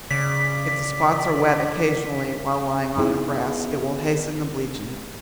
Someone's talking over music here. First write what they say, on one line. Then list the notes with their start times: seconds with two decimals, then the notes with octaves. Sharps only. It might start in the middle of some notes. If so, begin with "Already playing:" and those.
If the spots are wet occasionally while lying on the grass, it will hasten the bleaching.
0.11 C#3 D5 B6
2.96 B3 D#4 E4 G#4